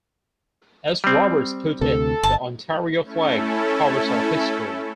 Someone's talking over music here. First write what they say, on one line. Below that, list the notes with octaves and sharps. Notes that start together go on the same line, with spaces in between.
As Robarts put it, the Ontario flag covers our history.
G3 C4
D2 C3 A4
G1 A5
A3 C#4 E4 A4